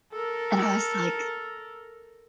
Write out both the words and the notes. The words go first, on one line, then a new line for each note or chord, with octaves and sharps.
and I was like
A4 A#4